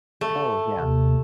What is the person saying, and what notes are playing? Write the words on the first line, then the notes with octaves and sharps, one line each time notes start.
Oh, yeah.
A3
D#2 C3